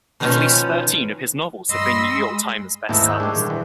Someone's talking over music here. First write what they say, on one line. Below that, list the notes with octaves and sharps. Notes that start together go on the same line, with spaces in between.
At least thirteen of his novels have been "New York Times" Best Sellers.
B2 D#3 F3 G3 B3 C#4
G2 D#5 B5 C6 E6 A#6
G#3
D#2 G#2 A#3 D#4 E4 A5 E6
C#6 E6 F#6 G6
G#3 D4 G4
D#1
E3